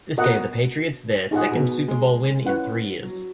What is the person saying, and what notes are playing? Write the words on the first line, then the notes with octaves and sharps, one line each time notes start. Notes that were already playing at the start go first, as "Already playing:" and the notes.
This gave the Patriots their second Super Bowl win in three years.
B2 F#4 A#4 D#5 F#5
A#2 D#4 G#4 D#5 F#5
B2
B2
G#3
C#4 E4 B4 F#5
F#3